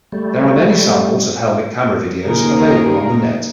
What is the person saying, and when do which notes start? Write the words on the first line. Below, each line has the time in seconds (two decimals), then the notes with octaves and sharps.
There are many samples of helmet camera videos available on the net.
0.12 G3 A3
2.25 D#2 C#3 D#4 G#4 A#4